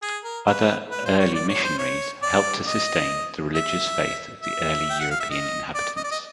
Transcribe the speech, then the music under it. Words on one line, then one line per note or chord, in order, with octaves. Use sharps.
Other early missionaries helped to sustain the religious faith of the early European inhabitants.
G#4
A#4
B4
B4
C5
C#5
D5
C#5
C5
C#5
D5
D#5
E5
E5
G5
F#5
F5
E5
D#5
D5
D#5
D5
D#5